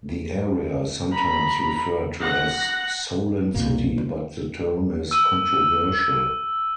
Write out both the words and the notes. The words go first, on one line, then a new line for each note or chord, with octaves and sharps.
The area is sometimes referred to as Solent City but the term is controversial.
A#5 B5
F#5 A#6
C2 F2 B2 A#3
E6 D#7